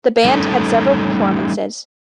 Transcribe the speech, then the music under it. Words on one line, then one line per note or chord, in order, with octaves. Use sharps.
The band had several performances.
G3 A3 C#4 D#4 A4